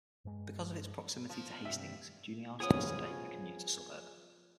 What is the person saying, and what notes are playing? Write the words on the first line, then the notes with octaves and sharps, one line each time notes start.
Because of its proximity to Hastings, Juniata is today a commuter suburb.
G2 G#3
F3
G2 C3 E5
F3 B3 C#4 G#4 G#5 D#6